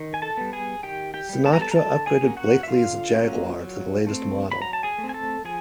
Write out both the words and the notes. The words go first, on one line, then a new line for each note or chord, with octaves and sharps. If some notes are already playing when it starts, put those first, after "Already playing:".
Sinatra upgraded Blakeley's Jaguar to the latest model.
Already playing: D#3
G#5
A4 A5
G3 B3
G#4 G#5
D#3 G4 G5
G4 G5
G3 B3
A5
A#5
A4 A5
A#5
D3 A4 A5
G#4 G#5
F#3 A#3 C#4
F#4 F#5
E5
D3 F4 F5
F#3 A#3 C#4
F#3
A3 C4
F#3 B5
A#5
A5
G#4 G#5
A3
C4
G#5
A4 A5
F3 G#4 G#5